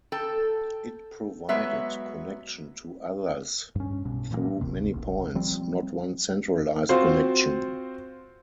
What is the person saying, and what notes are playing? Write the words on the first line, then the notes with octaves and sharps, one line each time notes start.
It provided connection to others through many points, not one centralized connection.
A4 G5
F#3 G#3 B3 C#5 E5
G2 C#4
B1 G2 B2
A#2 E3 F3 A#3
D1 G1 D#2 C3
D#1 B1
F3 G3 C4
C4 F4 F#4 C5